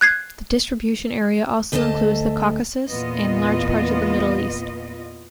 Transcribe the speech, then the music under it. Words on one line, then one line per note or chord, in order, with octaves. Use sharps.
The distribution area also includes the Caucasus and large parts of the Middle East.
F#6 G#6 C7
D2 A3 A4 D#5 A5
E2 A#2 B3 F4 D#5